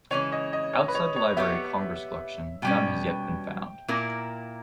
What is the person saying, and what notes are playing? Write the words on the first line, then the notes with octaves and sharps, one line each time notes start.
Outside the Library of Congress collection, none has yet been found.
C#3 E3 G#3 C#4 C#5
D#5
D#5
C#5
B4
C#5
C#5
B3 G4 C#5 E5
B2 G3 C#4 G5
A#2 A#3 E4 A#4